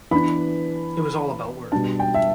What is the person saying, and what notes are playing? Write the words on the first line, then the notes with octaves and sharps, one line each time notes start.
It was all about work.
E3 B3 D4 B5
B2 G3 D4 A5
G5
E5